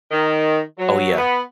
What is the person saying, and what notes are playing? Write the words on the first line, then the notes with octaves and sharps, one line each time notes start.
Oh, yeah.
D#3
F#3
B3